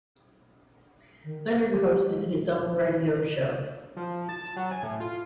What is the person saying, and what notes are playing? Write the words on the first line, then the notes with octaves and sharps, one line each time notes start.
Leonard hosted his own radio show.
D#3
B4
G4
G#3
F3
A5
F#3
G#5
A2
F4